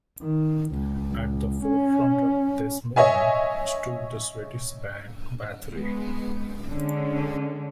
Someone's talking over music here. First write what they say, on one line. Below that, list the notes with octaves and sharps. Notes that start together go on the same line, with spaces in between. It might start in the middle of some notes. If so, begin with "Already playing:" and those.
At the forefront of this movement stood the Swedish band Bathory.
D#3
C#2
C#4
C#5 D#5 E5 G#5
G#3 B3
D3 G#3 C#4